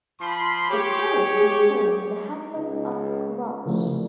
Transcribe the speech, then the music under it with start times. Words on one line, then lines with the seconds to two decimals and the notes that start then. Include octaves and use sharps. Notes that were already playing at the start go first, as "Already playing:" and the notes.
The parish contains the hamlet of Crouch.
0.20 F3 B5 C6
0.70 G4 G#4 C#5
2.56 C#2
3.66 C2 C#3 F3 A3